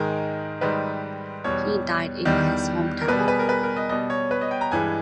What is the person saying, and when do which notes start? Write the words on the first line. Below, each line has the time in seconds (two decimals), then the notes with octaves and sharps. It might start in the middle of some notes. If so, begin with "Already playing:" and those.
He died in his hometown.
Already playing: G#2 D#3 G#3 A#4
0.61 G#2 D#3 G3 B4
1.44 E2 B2 G3 C#5
2.25 E2 D#3 G3
3.02 A#4
3.08 B2 G3 B4
3.19 G#4
3.28 B4
3.39 A#4
3.49 B4
3.63 A#4
3.76 D#5
3.89 B2 G3 D#5
4.10 C#5
4.31 B4
4.41 D#5
4.51 G5
4.61 A#5
4.71 G2 E3 G#3 G#5